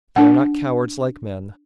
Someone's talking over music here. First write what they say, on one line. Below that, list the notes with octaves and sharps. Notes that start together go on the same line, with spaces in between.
They are not cowards, like men.
D4 F#5